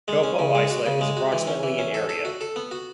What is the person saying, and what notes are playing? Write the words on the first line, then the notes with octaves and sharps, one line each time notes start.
Topo Islet is approximately in area.
G#3
C#4
C#3
G#3
F#4
C#3
G#3
F#4
E3
C#4
E3
C#4
A4
A4
F#4
A4
B3
F#4